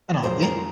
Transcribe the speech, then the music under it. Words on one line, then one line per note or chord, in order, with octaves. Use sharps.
And aren't you?
F2 C#3 F#3 A3 A#4 C5
G#4 A#4